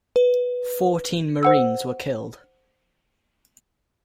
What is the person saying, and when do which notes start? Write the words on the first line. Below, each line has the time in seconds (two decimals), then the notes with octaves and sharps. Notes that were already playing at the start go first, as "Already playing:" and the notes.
Fourteen Marines were killed.
0.16 B4
1.43 C5 F#5 E6